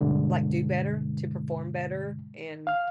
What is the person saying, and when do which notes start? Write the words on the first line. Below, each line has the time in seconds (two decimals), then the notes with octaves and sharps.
like, do better, to perform better, and,
0.01 G2 B2 D3 G#3
2.67 F5 F6